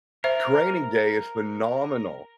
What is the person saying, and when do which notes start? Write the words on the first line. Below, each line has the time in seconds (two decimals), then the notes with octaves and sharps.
Training Day is phenomenal.
0.24 A#4 C5 E5